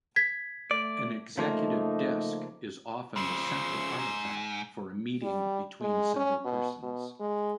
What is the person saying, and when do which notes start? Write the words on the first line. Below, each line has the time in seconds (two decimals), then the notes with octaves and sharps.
An executive desk is often the central artifact for a meeting between several persons.
0.16 G#6 B6
0.71 A3 D5
1.38 C#3 F3 A3 A#3 D#4
3.16 C#3 F3 C6 E6
3.99 G#2
5.23 G3
5.81 G#3
6.16 C#4
6.45 B2
6.83 B2
7.20 G#3